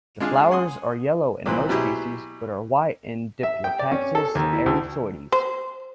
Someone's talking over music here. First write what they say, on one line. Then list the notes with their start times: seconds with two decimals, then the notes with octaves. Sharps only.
The flowers are yellow in most species, but are white in "Diplotaxis erucoides".
0.20 G#3 D4 F4 G#4 F5
0.51 F#5 G#5 C6 D#6
1.46 C2 A#2 E3 C4 B4 C5
1.69 B2 F#3 E4 G4 G#4
3.43 E5
3.64 G5
3.79 D5
3.91 C#4
4.15 A4
4.35 D#2
4.53 E4
4.66 D2
5.32 C5